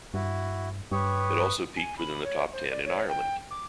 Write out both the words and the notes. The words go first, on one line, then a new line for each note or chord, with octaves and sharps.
It also peaked within the top ten in Ireland.
G2 E4 F#4
G2 G4 B4 C#5 C#6 D#6
G#5
B5
C#5
C5
D5
C#5
G5
D6